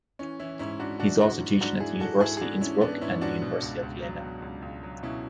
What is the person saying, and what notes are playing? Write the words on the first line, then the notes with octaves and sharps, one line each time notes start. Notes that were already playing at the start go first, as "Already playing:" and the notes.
He is also teaching at the University Innsbruck and the University of Vienna.
E3 C#4
E3 C#4 E4
G#2 C#4 E4
G#2 D4 F#4
E3 D4 F#4
E3 D4 F#4
G#2
G#2 D4 F#4
E3 E4 G#4
E3 F#4 A4
G#2 E4 G#4
G#4
G#2 D4 F#4
E3 C#4 E4
E3 B3 D4
G#2 C#4 E4
G#2 D4 F#4
B2
C#2
C#2
F#3
B2
C#2
C#2
F#3
B2 C#4 E4